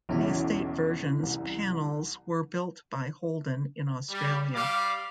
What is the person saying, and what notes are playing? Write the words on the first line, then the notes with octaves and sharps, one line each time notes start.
The estate version's panels were built by Holden in Australia.
B1 E2 C#3 E3 C#4 E4
C2
G3
G3 F5 D6